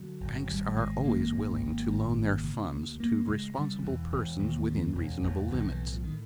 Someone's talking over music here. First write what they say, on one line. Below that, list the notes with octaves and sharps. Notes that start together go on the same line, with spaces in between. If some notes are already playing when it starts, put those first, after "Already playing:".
Banks are always willing to loan their funds to responsible persons within reasonable limits.
Already playing: D3 F#3
G1
G#1 G3
G#1 G#3
G#2 A#3
G#1
G#2
G#1
D2
C#3
D2
D2 A#3
C#3 G#3
C#3 G3
D#3
E1 E3
E1
D#2
C#3
E1
E1
B1 D#3
E3
A2
F3
A2 D#3